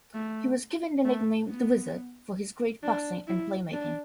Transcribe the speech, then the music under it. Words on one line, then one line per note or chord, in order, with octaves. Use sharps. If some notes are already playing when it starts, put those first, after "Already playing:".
He was given the nickname The Wizard for his great passing and playmaking.
A3
A3
B3
D4
E4
D4